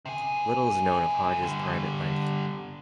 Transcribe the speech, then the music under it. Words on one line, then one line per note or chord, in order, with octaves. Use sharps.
Little is known of Hodge's private life.
C3 G#4
D3 G3